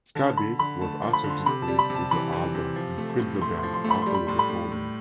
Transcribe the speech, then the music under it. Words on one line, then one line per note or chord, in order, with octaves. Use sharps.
Scabies was also displeased with the album, and quit the band after the recording.
D3 A5
D3 B5
D3 B5
A3 A5
F3
B5
D3
C6
C3 B5
A5
G3
B5
C3
A5
E3 B5
E3
C3
F3
A3
A2
A3 C6
C6
F3
C6
A3
B5
G3 C6
B5
A2 C6
B5
A2
A2